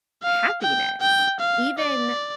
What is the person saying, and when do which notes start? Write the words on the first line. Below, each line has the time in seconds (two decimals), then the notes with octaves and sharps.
happiness even
0.23 F5
0.62 G5
1.01 G5
1.40 F5
1.79 D5